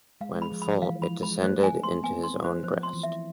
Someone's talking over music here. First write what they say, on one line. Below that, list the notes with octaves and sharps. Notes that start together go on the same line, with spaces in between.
When full, it descended into his own breast.
G#3 F5
G#3
B5
F3
F3 B5
E3 F5
F3 B5
G#3 B5
A3 C5
G#5
C6
C4
B3 G#5
C4 C6
C5
F3 C5
C6
E3
E5